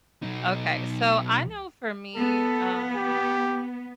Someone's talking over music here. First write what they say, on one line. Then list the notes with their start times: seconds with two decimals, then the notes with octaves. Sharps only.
Okay, so I know for me, um,
0.22 B1 D#4
2.16 B3 A4
2.96 G4